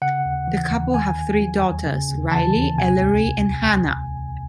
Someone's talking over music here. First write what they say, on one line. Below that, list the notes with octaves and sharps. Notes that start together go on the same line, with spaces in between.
The couple have three daughters: Riley, Ellery and Hannah.
C#3 F#5
D#2
E3
D#2
D#3 G#5
E2
F#3
E2
C#3
D#2
E3 A5
D#2
C3 G#5
C#2